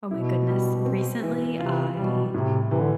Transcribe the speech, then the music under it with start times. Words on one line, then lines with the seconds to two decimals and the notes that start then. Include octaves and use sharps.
Oh my goodness, recently, I
0.11 B2 E4
0.49 G3
0.85 C4
1.23 E3
1.59 C3 F4
1.97 B2 G3
2.33 A2 C3
2.71 C3 E3
2.81 D3